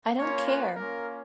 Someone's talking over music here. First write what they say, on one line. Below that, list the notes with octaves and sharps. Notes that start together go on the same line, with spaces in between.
I don't care!
A#3 C#4 F4 C#5
B4
A#3 C#4 F4 A#4